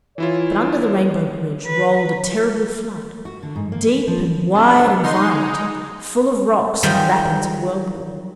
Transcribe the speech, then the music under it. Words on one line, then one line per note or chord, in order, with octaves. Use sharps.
But under the Rainbow Bridge rolled a terrible flood, deep and wide and violent, full of rocks and rapids and whirlpools.
E3 E4 F4 C#5
B4
F#4
D3
G#2
A#3
B4
F3
C3 D4
D#4 C6
G#3 D#4
D#3 F#3 G3 F4 G#4 C5